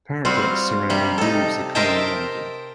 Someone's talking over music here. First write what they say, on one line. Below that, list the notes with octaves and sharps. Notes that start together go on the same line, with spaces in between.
Parapets surrounding roofs are common in London.
G3 C4 F4 F#4
C3 G3
D#4 A4
A#4 C5 D#5 E5 G5 A5